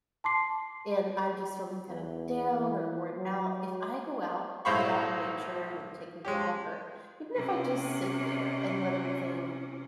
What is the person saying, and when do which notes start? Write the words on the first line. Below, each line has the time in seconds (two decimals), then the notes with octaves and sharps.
and I'm just feeling kind of down or worn out, if I go out, and get out in nature and maybe take a walk, or even if I just sit there, and let everything
0.24 A5 C6 D6 C7
1.88 E2
2.51 E3
3.17 F#3
4.65 B1 A2 C5 F5 B5 C#6
6.25 G#3 C#4 G4
7.34 C3 C#4